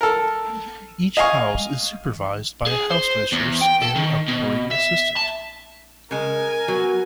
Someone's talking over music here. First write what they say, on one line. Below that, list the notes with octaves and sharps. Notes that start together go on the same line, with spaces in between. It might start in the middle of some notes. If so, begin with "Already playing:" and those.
Each house is supervised by a housemistress and a boarding assistant.
A4 A#4
D#5 F5 G#5 C#6
G#4
C5
E2
G5
A4
D#3
B2
E5
A5
C#3 G#3 A#4 G#5
F#3 B3 F#4